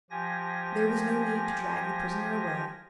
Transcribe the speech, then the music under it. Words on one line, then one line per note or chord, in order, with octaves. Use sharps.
There was no need to drag the prisoner away.
F3 G4 G#5 A#6